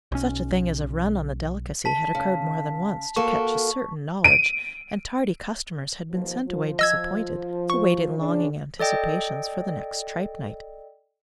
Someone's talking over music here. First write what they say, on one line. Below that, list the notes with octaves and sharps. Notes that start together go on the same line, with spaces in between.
Such a thing as a run on the delicacy had occurred more than once, to Ketch's certain knowledge, and tardy customers had been sent away disappointed, to wait in longing anticipations for the next tripe night.
B1 C#4
A5 B6
C#3
A#3 F#4 A4 C#6
D7 D#7
D#2 B2 F3
F3
D#5 E6 G#6
C#6
C#3 D4
A4 D5 D#5 G5